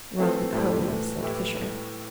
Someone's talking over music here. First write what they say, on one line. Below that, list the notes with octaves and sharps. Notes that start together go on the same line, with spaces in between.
"Rum cove," said Fisher.
E3 A3 C4 A4 C5
A2 G3 E4 A4 C5
A2 E3 A3
A2 E3 A3 E4 G4